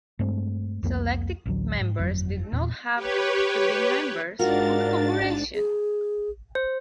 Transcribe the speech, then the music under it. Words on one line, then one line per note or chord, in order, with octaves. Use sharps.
Selected members did not have to be members of the corporation.
G2 G#3 A3 C4
C2 F2 A#3 C4
A1 D2 F#3
G#2
G1 F2 C#3 F#3
D#1 E2 A#2
G4 B4 C#5
G#2 D4 F4 F#4 A#4 A6
G#4
C5